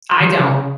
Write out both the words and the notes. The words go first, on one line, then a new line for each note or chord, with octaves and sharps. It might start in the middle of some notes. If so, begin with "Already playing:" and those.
I don't.
D#3
F3
C#3
C3
C#3